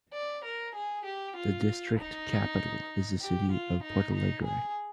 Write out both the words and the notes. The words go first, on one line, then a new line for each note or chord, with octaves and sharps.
The district capital is the city of Portalegre.
D5
A#4
G#4
G4
F4
D#4
G4
F4
D#4
D#4
G#4